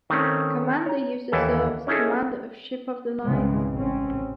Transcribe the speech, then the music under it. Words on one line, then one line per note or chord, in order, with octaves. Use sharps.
Commander used to serve as commander of ship of the lines.
D#3 A3 C4 C#4
C#5 A#5
D#2 E3 E4 A4
C#4 D#4 E4 G#4 A4
C2 G2 C#3 E3 G#3 C4
A1 C4 C#4